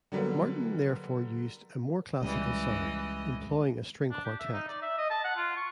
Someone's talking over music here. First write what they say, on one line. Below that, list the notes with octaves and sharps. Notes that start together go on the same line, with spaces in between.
Martin therefore used a more classical sound, employing a string quartet.
D3 F#3 G3 A#3 B3
C#2 E3 G3 D#5
D4
G4
E5
D#4
D5
E5
D#5
A5
F#5
F4
C#6